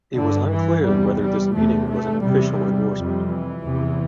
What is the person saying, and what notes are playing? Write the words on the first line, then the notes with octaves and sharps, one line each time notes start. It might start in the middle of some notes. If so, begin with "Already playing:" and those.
It was unclear whether this meeting was an official endorsement.
G2 D3
E3
E2 C3 G3
G3
E2 C3 A3
A3
E2 C3 G3
F2 C3
E3
E2 C3